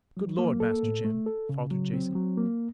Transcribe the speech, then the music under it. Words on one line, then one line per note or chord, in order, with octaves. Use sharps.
"Good Lord, Master Jim!" faltered Jason.
F#3
A#3
A4
A2
A3
A4
C#3
F#3
C4
F#3
A#3